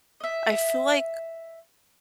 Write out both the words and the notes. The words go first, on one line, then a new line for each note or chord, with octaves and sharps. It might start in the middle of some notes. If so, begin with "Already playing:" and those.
I feel like
D#5 E5